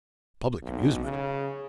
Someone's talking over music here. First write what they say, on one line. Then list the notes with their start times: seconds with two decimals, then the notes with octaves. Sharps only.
'Public amusement?
0.62 B1
1.04 C#3